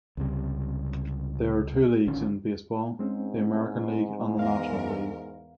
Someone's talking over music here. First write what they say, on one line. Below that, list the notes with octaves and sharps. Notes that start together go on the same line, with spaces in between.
There are two leagues in baseball, the American league, and the National League.
C#2 C3 G3
A#1 D3 D#3 C#4
G#2 G#3 C4 C#4
E2 A#4 F5